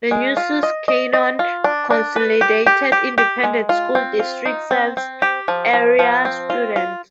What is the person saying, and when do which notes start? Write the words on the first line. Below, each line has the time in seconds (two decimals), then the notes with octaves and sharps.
The Nueces Canyon Consolidated Independent School District serves area students.
0.11 G#3
0.37 F4
0.63 D#5
0.88 D#5
1.13 D#5
1.39 F4
1.64 D4
1.90 D4
2.16 B4
2.41 G4
2.66 G4
2.92 G4
3.18 G4
3.43 G#3
3.69 F4
3.95 C4
4.20 F4
4.45 D#4
4.71 C4
4.97 C4
5.22 G4
5.48 F3
5.73 F3
5.99 F3
6.25 C4
6.50 F4
6.76 F4